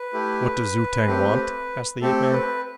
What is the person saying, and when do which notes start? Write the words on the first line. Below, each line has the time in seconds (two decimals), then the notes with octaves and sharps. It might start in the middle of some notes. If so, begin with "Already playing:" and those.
"What does Zu-tag want?" asked the ape-man.
Already playing: B4
0.13 A3 E4 G4
1.07 A3 C4 G4
2.01 A3 C4 G4 A4
2.33 B4